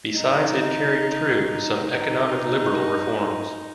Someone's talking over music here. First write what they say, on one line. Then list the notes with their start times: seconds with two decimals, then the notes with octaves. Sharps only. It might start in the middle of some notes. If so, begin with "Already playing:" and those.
Besides it carried through some economic liberal reforms.
0.17 D#4
1.87 D#4